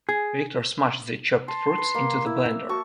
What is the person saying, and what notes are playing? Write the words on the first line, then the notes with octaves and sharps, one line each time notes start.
Victor smashed the chopped fruits into the blender.
G#4
A5 C6
B4
A#3
E4 E5
F#4 A5 C#6